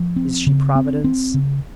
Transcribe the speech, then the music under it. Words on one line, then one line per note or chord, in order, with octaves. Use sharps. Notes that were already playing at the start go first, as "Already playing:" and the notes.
Is she Providence?
Already playing: F3
C4
C#3
C4
C4
C#3